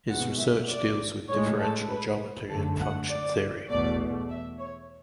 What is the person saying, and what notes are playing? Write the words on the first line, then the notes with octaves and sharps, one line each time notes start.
His research deals with differential geometry and function theory.
B2 G#3 F#5
E5
D5
A2 G#3 C#5
A4
B4
F#2 D3 A3 A4
F#5
D5
E2 B2 A3 D5
E5
C#5